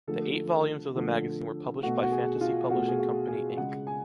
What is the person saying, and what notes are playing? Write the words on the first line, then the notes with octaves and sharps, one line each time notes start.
The eight volumes of the magazine were published by Fantasy Publishing Company, Inc.
D3 F3 A3 A4
D3 F3 A3
B2 A3 F#4
F#4
G#4
F4
B2 A3 F#4
G#4
F#4
G#4
C#3 G#3 F#5
G#5